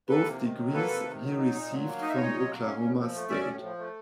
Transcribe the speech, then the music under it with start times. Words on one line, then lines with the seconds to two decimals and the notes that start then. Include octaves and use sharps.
Both degrees he received from Oklahoma State.
0.09 A#3 A4 B4
0.25 C3
0.41 D#3
0.57 F#3
0.73 A#3 A4 B4
0.89 C3
1.05 D#3
1.22 F#3
1.38 D#4
1.54 A#2
1.70 F#3
1.85 A#3
2.02 D#4 D#5
2.10 E5
2.16 A#2 C#5 D#5
2.34 F#3
2.49 A#3
2.66 C#4
2.82 A2
2.98 F3
3.14 A3
3.30 C#4 D5 E5
3.46 A2
3.62 F3
3.78 A3